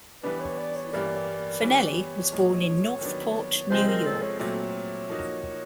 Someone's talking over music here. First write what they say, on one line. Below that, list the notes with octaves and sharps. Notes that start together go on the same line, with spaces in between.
Fanelli was born in Northport, New York.
E3 G3 B3 D4 B4
C#5
D5
C#5
G2 E3 G3 A#3 D5
E3 G3 B3 C#5
A#2 F3 G#3
D#3 F#3 B3 D4
C3 F3 G#3 C4 C5
A#4
A4
C#5
A#2 F#3 A3 C4 C#5
F3 A#3 D#4 F#4